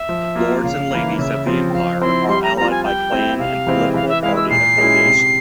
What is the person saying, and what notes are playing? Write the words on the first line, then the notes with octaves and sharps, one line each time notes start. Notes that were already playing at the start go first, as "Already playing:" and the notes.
Lords and Ladies of the Empire are allied by Clan and political party affiliation.
Already playing: E5
F3
A#3 F4
C#3 F5
E3 A#3
C#3 E5
F3 C4 F4
G5
F3 F5
C4 E4 C6
G3 C6
A#5
C4 F4 A#5
G#5
G3 G5
C4 E4
C3 F5
E3 G#3 C4 E4
E3 F5
E5
G#3 E4 F5
E6
A#2 C7
G#3 C#4 E4
C3